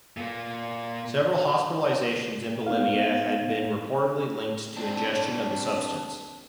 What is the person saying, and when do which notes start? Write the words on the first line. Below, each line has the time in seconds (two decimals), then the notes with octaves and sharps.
Several hospitalizations in Bolivia had been reportedly linked to ingestion of the substance.
0.17 A#2 A#3
2.67 B3 D#4 F5
4.76 C4 D4 A5